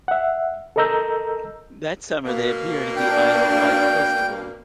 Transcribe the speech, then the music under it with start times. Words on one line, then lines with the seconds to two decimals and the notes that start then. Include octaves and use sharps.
That summer they appeared at the Isle of Wight Festival.
0.08 E5 F#5
0.76 A4 A#4 D#5 A#5 E6 G6
2.25 B2 A#3
2.96 D4 G5